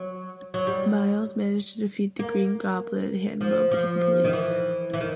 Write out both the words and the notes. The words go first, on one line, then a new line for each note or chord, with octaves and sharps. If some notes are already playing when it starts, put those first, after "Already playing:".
Miles managed to defeat the Green Goblin and hand him over to the police.
Already playing: F#3
F#3
G3
A#3
F3
F3
D#3
E3
E3
D#3